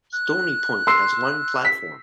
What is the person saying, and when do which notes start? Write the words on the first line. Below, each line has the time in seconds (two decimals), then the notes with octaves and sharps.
Stony Point has one platform.
0.13 F#6
0.87 C6 E6 C7
1.65 B6